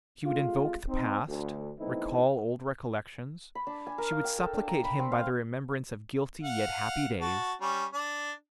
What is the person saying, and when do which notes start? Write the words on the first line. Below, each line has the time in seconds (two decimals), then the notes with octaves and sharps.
She would invoke the past, recall old recollections; she would supplicate him by the remembrance of guilty, yet happy days.
0.24 C3 G#3 A3 F4
0.88 C4 D#4
1.28 D2
1.80 E3 A3 B3 C4 D#4 E4
3.55 B5
3.67 D4
3.87 G#5
3.98 A#4
4.12 F5
4.24 G5
4.38 A4
4.54 D4
4.68 A#5
4.84 B5
4.99 C4
5.12 F5
6.43 F5 F#5
7.21 F#4 A5
7.61 G3 C#4
7.93 D4